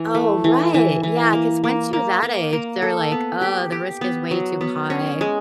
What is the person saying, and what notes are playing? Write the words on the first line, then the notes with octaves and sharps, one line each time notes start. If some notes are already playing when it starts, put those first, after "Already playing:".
Oh, right. Yeah, 'cause once you're that age, they're like, "Uh, the risk is way too high."
Already playing: E3
A3
E3
E3
E3
A#3
A#3
A#3
A#3
A#3
A4
B3
G4
G4
B3
F#3
B3
C#4
G#3